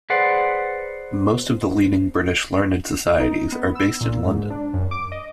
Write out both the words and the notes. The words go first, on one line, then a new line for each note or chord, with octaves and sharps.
Most of the leading British learned societies are based in London.
G#4 B4 C5 D5 F#5
D#4
B3
E6
A#2
G#2
D4
F#2
D6
D#5